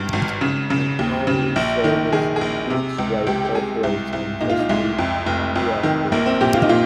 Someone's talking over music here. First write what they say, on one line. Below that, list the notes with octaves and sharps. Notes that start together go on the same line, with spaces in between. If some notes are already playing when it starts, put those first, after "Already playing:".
An hourly service each way operates on this route throughout the week.
Already playing: G#1 G2
G#1
C#3
C#3
D#2
C#3
A#1
D#3
D#3 G#4
G#4
A#1
C3
C#2
C#2 G4
G4
C#2 G#4
C2
C2
A#2 D#4
F4
D#4
C2 G#3
F2
F1
F2
D#3
A#1 A#3
C4
A#2 G4
F4
D#4
A#2 F4